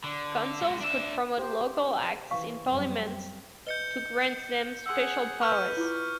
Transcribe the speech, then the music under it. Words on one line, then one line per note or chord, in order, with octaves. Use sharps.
Councils could promote Local Acts in Parliament to grant them special powers.
D3
G#3 F#4
D4 E5
G4 C5
C#4
E3 F5 C#6
F#2 G3 C4
B4 D#5 E5 G6 C#7 G7
G#4 F#5 C6 E6
B4 C#6 F6 G6
E4 F4 D6